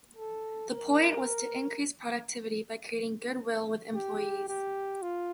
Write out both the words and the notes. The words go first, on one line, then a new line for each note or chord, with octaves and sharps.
The point was to increase productivity by creating good will with employees.
A4
A#4
G4
G4
F4